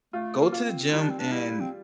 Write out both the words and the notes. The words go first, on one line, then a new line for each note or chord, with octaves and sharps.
"Go to the gym and
A3 F4
A#3
F4
C4
G3 E4
D4
C4
D4
G3 E4
C4